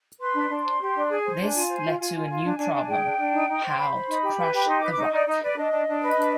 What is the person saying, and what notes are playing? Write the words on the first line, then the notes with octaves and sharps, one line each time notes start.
This led to a new problem: how to crush the rock.
B4 C6
D4
D4
C5
G4
D4
G#4 G#5
C5
D4
F4
C5
F4
F4 G#5
F4
F4
D4
D4
D4
G#4 G5
D4
D4
D#4
D#4
C5
C6
C5 B5
C5
D#4
G4
B4
G4
D#4 C6
D6
B4
D6
D#4 D#5
D#4 D5
D#4 D#5
B4 D5
D4 D#5
D4
D4
B4
D4